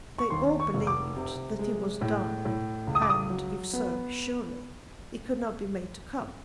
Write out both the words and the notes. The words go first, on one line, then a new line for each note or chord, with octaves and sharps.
They all believed that he was dying, and, if so, surely he could not be made to come.
C#6
D#2 C6
C#6
F1
D6
C3
G#3
A2
A2
C#2
D#6
D6
D#6
F#3
B3